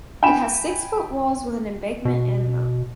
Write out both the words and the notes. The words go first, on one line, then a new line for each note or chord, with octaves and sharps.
It has six foot walls with an embankment and moat.
G5 G#5 B5 E7
B2